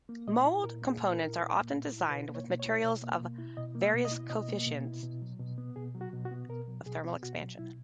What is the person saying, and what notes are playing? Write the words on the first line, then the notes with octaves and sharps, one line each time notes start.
Mould components are often designed with materials of various coefficients of thermal expansion.
A#3
A#2 D#5
E4
A#2 A#4
A#3
G#4
A#2
A#4
E4
A#2
A#3
A#2
E4
B2 B4
A#3
C#5
B2
C#5
E4
B2
A#3
B2
E4
B2 D#5
A#3
E5
B2
D#5
E4
B2 D#5
A#3
B2
E4
B2
F#3
B2
B3
B2 G#4
F#3
F#4
B2
F#4
B3
B2 A#4
F#3
B2 G#4
B3
B2 F#4
F#3
B2 E4